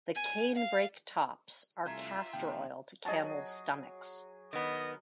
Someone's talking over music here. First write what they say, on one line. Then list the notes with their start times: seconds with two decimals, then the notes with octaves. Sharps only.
The canebrake tops are castor-oil to camels' stomachs.
0.15 G#5
0.56 F5
1.86 C2 A3 F4 E5 G#5 A#5 C6
2.33 D#2 C3 F3 G5
3.05 F#3 G#4 D#5 A5
4.53 D#3 B3 D#5